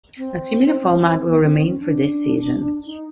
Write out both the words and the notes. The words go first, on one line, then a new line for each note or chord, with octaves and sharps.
A similar format will remain for this season.
C4
B3
C4
C#4
D4
D#4